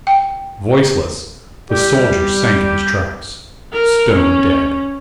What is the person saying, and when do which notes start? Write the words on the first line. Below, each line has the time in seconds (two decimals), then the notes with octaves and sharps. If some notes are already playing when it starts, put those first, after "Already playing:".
Voiceless, the soldier sank in his tracks--stone dead.
0.07 G5
1.71 G3 G4
3.73 A#4
4.14 C#4